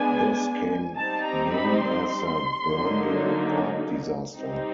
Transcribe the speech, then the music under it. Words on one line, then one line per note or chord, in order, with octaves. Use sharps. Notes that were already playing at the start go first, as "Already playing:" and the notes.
This came known as the Burnden Park disaster.
Already playing: G#3 B3 D4 G#5
G3 C4 D#4 A5
A#5
B5
C6
D3 F#3 A#3 D#4
G3 C4 D#4